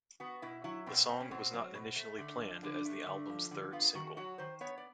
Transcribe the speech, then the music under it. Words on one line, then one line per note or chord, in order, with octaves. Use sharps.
The song was not initially planned as the album's third single.
B3 F#4
B2 E4
F#3 E4
B2 C4
B3 C4
C#4
B2 C4
F#3
B2
A3
D3
F3
D3 D4
A3
D3
F3
D3
B3 F4
D#3 F#4
F#3 F#4
D#3 C5
B3 C#5
D5